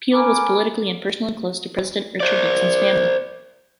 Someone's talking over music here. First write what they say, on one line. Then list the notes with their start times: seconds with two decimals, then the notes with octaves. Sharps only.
Peale was politically and personally close to President Richard Nixon's family.
0.14 C#4 A#4 B4 G#5 D6
2.20 C5 D5